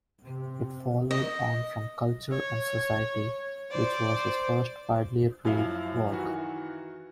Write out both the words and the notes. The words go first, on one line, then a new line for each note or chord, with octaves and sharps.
It followed on from "Culture and Society", which was his first widely read work.
C3
D#5
C#5
C5 D5
F#2 F3 F#3 E4 F5
D#3 E3 F#4